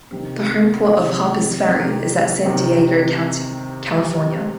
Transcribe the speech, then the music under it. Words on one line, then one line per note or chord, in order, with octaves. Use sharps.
The homeport of "Harpers Ferry" is at San Diego County, California.
C3 D#3 C4 G4
C3 D#3 C4 G4
C3 D#3 C4 G4
C3 D#3 C4 G4